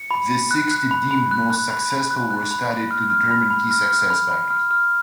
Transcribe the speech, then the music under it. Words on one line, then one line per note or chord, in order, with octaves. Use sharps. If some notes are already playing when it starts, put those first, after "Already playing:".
The sixty deemed most successful were studied to determine key success factors.
Already playing: C#7
B5
B5
F#6
F#6
B5
B5
F#6
F#6
B5
B5
F#6
F#6
B5
B5
F6
F6
B5
B5
F6
F6
B5
B5
F6
F6